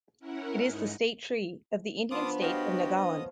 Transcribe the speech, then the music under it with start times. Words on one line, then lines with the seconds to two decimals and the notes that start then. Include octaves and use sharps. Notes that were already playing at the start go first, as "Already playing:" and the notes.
It is the state tree of the Indian state of Nagaland.
0.19 C#4 E4 A#4 F#5
0.63 G#2 D#4
2.11 F3 B3 D4 F4 B5 D6 D#6
2.41 F#4 G4 C#5 D#5 F5
2.96 D#5 D#6